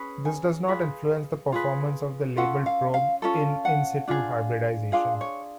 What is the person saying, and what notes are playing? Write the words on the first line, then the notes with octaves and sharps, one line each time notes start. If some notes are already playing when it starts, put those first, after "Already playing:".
This does not influence the performance of the labelled probe in in-situ hybridization.
Already playing: C#4 G#4 B4
G#5
F4 G#4 B4
F4 G#4 B4
C#4 F4 A4 F#5
F5
F5
C#4 F4 A4
F#5
D4 F4 G#4
D4 F4 G#4 F5
C#5